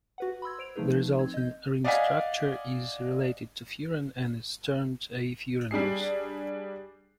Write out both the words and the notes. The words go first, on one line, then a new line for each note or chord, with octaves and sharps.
The resulting ring structure is related to furan, and is termed a furanose.
F#4 B4 F#5
B5 C6 E6 G#6
C5 D7 F7
D3 F3 A3 D#4 G#4 B4
C4 G#6
D#5 G6
D5 D#5 F5 F#5 G#5 B6
G3 D4 G#4 C7